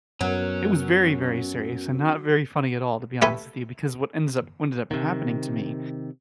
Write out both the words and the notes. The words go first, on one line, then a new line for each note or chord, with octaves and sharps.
it was very very serious, and not very funny at all, to be honest with you, because what ends up ended up happening to me
F#2 F#3 B3 C#4 A#4
A3 G4 A4 B4 E5 G#5
C3 D#3